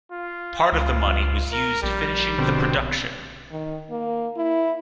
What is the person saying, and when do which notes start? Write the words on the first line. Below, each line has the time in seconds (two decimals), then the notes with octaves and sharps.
Part of the money was used finishing the production.
0.12 F4
0.72 C#2 F4
1.52 A#4
1.83 A#1 G3
2.38 B2 D3 C4
3.51 D#3
3.90 A#3
4.36 E4